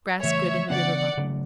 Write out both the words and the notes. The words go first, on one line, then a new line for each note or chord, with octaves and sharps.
Grass good in the river bottom.
C#3 E3 A3 C#5 E5
C#3 E3 B3 D4 D5 F#5
C#3 F#3 A3